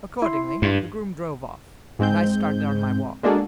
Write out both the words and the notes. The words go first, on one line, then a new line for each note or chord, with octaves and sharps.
Accordingly the groom drove off, and I started on my walk.
E4 C6
G2
G#2 G#3 C4 G6
G#3 A#3 D4 F#4 G#4 A4